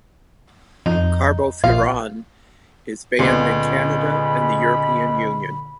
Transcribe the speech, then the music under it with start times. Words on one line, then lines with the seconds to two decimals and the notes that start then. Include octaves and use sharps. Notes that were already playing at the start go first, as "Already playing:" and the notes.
Carbofuran is banned in Canada and the European Union.
0.86 F2 D#4
1.64 A#1 F4 F5
3.19 C#2 A#2 D3 G#3 B3 B5 C6